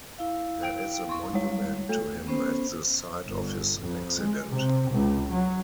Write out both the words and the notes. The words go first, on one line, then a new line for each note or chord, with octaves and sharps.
There is a monument to him at the site of his accident.
E4 F5
G5 D7
C6 C#6
G3 G#3 C#5
A3 A4
B3 C#4 C5
G1
F2
G#3
C3
C#2
F#3